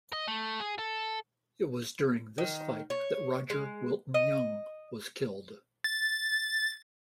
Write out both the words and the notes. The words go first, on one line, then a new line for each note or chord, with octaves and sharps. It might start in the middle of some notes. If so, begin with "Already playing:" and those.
It was during this fight that Rodger Wilton Young was killed.
D#5
A3
G#4
A4
D#3
C#5
G#3
D#5
A6